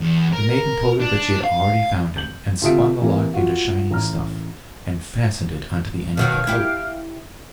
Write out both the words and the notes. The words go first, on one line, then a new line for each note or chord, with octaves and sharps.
The maiden told her that she had already found him, and spun the lock into shining stuff, and fastened it on to the end of the coat.
E2
A#4
D4
F5
G6 F#7
D2 C3 F4 E5 D#6 D7
C3 E3 A#3
F4 F#4
A1 A#5 F6
B2 D#3 F#3 F5
E4 G4